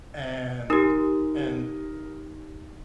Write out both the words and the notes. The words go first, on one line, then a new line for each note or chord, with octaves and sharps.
and and
D#4 G4 A#4 D#6